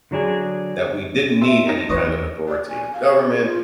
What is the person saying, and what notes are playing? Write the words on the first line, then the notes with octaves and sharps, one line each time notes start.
that we didn't need any kind of authoritative government,
D3 F#3 D4 G#4
E5 C6
D#4 A#6
E2 B4 C#5 D#5
D5
G#5
F5
C5
G#4
F4